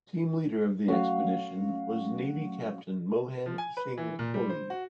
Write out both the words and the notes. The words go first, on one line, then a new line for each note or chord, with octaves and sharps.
Team leader of the expedition was Navy Captain Mohan Singh Kohli.
F#3 A3 C#4 F#4 F5
F3
G#5
B4
E3
A#2
G3
C5
F#4